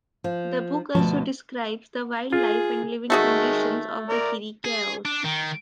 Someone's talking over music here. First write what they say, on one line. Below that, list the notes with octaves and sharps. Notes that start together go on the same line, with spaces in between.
The book also describes the wildlife and living conditions of the Chiricahuas.
F3
D2 B2 F3 A5
F4 G#4
D#3 G#3 A3 F#4 G#4
A#4 D5
G#4
D4
D#3